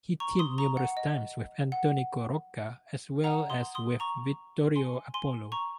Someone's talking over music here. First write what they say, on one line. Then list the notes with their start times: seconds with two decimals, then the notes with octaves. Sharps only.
He teamed numerous times with Antonino Rocca, as well as with Vittorio Apollo.
0.20 A#5 C#6
0.39 C6 D#6
0.58 A#5 C#6
0.77 F#5
0.97 D#5
1.72 F#5
3.24 F#5 A#5
3.50 C6 D#6
3.75 C6 D#6
4.00 A#5 C#6
4.76 G#5 C6
5.14 G#5 C6
5.52 A#5 C#6